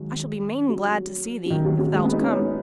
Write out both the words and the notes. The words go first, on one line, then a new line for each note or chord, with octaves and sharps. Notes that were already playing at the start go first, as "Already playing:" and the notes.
I shall be main glad to see thee; if thou'lt come.
Already playing: D#3 F#3 G#3
F#3
F#3
D#3
F#3
F#3
G#3
B3
D#4
C#4
D#4